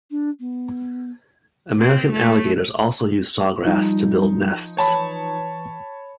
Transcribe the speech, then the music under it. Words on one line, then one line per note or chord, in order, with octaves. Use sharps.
American Alligators also use sawgrass to build nests.
D4
B3
C4
A3
F3 G3 D#4
E3 C#5 A5 B5